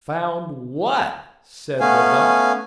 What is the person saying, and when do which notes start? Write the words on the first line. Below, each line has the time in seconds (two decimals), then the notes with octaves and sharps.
'Found WHAT?' said the Duck.
1.80 A3 B3 C#4 F5 G#5